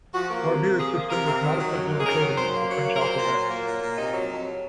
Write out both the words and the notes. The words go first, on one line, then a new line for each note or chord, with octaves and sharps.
Barbier's system was not a simple encoding of the French alphabet.
F3 F#4
A#3
C3
C3
F3 G#4
A#3
C3 A#4
C3
D#3
F#3
F#2
A#3
G#4
D#3 A#4
F#3
F#2 C5
A#3
F#3 C#5
A#3
A#4
A#2 C5
A#2
F#3
A#3
A#2
A#2
C3 D#4
F#3
F2